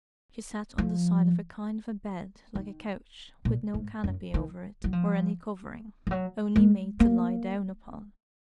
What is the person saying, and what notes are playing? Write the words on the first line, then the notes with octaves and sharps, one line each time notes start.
She sat on the side of a kind of a bed like a couch, with no canopy over it, or any covering; only made to lie down upon.
F3
D#3
A#2
G#2
F#2
D#3
F#3
F3
F3
F#3
G#3
A#3